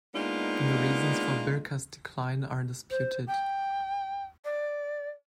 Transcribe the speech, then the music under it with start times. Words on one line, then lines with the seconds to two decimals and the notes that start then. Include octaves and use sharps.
The reasons for Birka's decline are disputed.
0.14 G#3 A#3 B3 D4 D#4 F4
2.90 C5
3.27 G5
4.44 D5